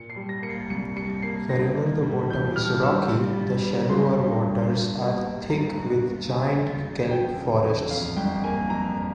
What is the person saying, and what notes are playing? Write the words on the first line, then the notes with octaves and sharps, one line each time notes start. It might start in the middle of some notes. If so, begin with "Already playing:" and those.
Wherever the bottom is rocky, the shallower waters are thick with giant kelp forests.
Already playing: A#2 C#7
C7
G3
A#6
A#3 C#7
C7
C2 C#7
G3 C#7
A#3 C7
G2 A#6
A#3
G3
E3 G6
G3 F6
G2 E6
G3
G3
G3
G1 C6
G2
G2
G2
A#3
G3
G2 A#5
G1
A#3
C#3 G#5
E1
E1
F3 G5
C#3
E1
F2 F5
G1 G5
A#3 G#5
F2 A#5